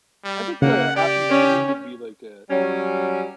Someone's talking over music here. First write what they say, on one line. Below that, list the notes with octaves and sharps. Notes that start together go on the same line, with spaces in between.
I think the happy medium would be like, uh,
G3
C#3 A#3 F#5
G4 D5
C#4
F#3 G3 C#4